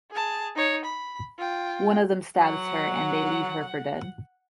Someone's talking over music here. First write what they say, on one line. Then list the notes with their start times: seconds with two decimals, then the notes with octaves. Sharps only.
One of them stabs her and they leave her for dead.
0.11 G#4 A5
0.56 D#4 C#5
0.85 B5
1.39 F4 G5
2.40 F#3 F#5